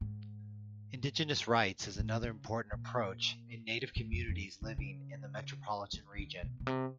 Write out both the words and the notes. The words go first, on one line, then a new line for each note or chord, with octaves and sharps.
Indigenous rights is another important approach in native communities living in the metropolitan region.
G#2
A2
C#3
A#2
A2
F2
F2
C#3
C#3
D3
D3
B2
B2
C3